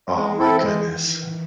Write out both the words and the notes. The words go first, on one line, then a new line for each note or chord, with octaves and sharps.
Oh my goodness.
E3 G#3
C4 E4 A4
D#3 G#3